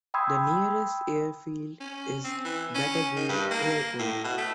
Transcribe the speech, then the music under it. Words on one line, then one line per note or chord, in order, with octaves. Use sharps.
The nearest airfield is Batagay Airport.
G5 B5 C6 D#6 E6 G#6
C#4
C4
E3
C#4
D#3
G2
A#3
A2
B2
A3